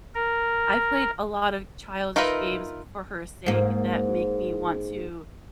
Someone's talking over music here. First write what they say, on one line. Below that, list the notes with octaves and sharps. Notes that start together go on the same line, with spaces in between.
I've played a lotta childish games for her sake that make me want to
A#4
D#4 F4 A#4 B4 E5
G#2 A#3